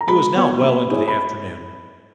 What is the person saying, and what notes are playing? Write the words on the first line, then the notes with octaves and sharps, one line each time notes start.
It was now well into the afternoon.
A#5
G#3 B5
B3 F#4 C#5
A#3
E4 G#4 C#5
B5